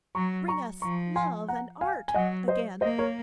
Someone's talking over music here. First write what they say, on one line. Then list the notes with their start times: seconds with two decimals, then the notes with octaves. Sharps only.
Bring us love and art again!
0.15 F#3 A#5 C#6
0.48 A#5 C#6
0.82 F3 A#5 C#6
1.16 G#5 C6
1.48 F#5 A#5
1.81 F5 G#5
2.08 G#5
2.14 F#3 D#5 F#5
2.48 C5 D#5
2.81 A#3 C5 D#5
2.99 A#4 C#5